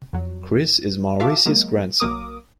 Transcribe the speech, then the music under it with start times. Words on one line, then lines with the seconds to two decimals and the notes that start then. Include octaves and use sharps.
Chris is Maurice's grandson.
0.13 F2 F#3
1.20 F4 F#4 E5 F5 A5 D6
1.46 F#3 G#3 A#3
2.00 B1 F#3 A#3 A#4 D6 D#6